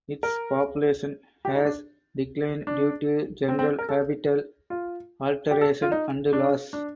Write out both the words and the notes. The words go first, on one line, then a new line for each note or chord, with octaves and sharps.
Its population has declined due to general habitat alteration and loss.
A#4
G4
D#4
D4
D4
C4
C4
A#4
A4
F4
G4
A4
F4
D#4
D4
D4